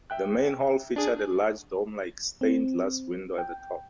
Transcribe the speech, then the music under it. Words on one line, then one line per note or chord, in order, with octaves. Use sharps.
The main hall featured a large dome-like stained glass window at the top.
E5 G5 F#6
D4 G#4
C4
G5